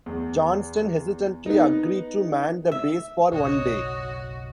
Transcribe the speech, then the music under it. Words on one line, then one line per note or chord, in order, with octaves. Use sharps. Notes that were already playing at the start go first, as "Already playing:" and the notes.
Johnston hesitantly agreed to man the base for one day.
E2
B3 D#4
E5
F#1 B1 F#4 C#5 D#5